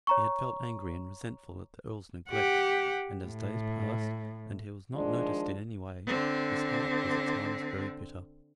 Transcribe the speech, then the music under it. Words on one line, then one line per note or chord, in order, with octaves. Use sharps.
He had felt angry and resentful at the Earl's neglect, and as days passed and he was not noticed in any way, his heart was at times very bitter.
C#5 A#5 C#6
G4 F#5
A2
D#3 F3 G#3 D4
D3 C4